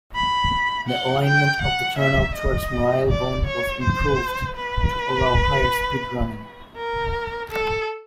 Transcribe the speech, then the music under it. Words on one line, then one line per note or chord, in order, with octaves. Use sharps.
The alignment of the turnout towards Marylebone was improved to allow higher-speed running.
B5
F#5
G5
F#5
E5
D#5
D5
C#5
C5
B4
A#4
A4